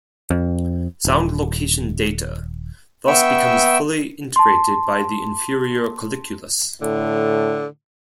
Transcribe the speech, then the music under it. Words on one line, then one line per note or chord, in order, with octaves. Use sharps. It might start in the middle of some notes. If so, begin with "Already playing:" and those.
Sound location data thus becomes fully integrated by the inferior colliculus.
F2
D#1
B3 E5 G5 C#6 E6
A5 C6
A2 D3